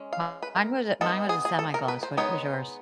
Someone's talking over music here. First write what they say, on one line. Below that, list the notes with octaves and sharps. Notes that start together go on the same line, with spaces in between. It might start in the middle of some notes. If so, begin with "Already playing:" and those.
Mine was a mine was a semi-gloss, what was yours?
Already playing: G#3 C#4
F5
B4
A#4
G#3 B3 D#4 A4
G#4
G#4
A4
A#4
B4
C5
G#3 B3 D#4 C#5